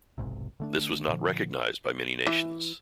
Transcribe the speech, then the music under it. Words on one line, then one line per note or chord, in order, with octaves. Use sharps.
This was not recognized by many nations.
F1 B1 G#2 C3
D3 A3 D4
A#2 D3 F3
E3